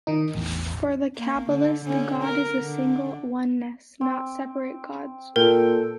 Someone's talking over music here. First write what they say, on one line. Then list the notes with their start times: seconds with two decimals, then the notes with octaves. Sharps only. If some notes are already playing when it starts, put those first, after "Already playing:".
For the Kabbalist, God is a single oneness, not separate "gods".
0.07 D#3 D#4
0.35 A1 E2
1.16 A#3
1.50 D3
1.84 D3 C#4
2.23 A#4
2.60 D3
4.01 C4
5.36 A#2 A4 A#4 G5